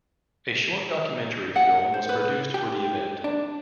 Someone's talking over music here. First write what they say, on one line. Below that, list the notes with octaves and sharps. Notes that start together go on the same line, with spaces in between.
A short documentary film was produced for the event.
F#5
C5
B4
G4
D4